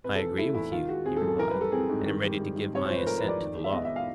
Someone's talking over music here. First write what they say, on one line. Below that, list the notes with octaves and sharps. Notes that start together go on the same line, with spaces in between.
I agree with you, he replied, and am ready to give my assent to the law.
C3 B4
A4
E3
A3 E4
E2 E4
D#3 F4
G#3 F#4
C4 G#4
A4
F#2
A4
E3 A#4
B4
G3
A4
C4 G#4
G#2
D#3
G3
G#2
G#2
C3 C#5
F3 C5
B4
A3 A#4
B4
F2
D5
D#3
G#3
E5
B3 D#5
E5
F5